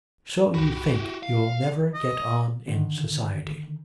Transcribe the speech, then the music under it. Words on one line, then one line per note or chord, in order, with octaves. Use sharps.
So you think you'll never get on in society.'
C2 F#2 F#4 G4 B5
E4
F5
D#5
D3 D#3